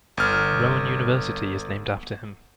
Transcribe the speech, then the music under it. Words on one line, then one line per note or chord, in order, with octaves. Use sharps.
Rowan University is named after him.
G1 F6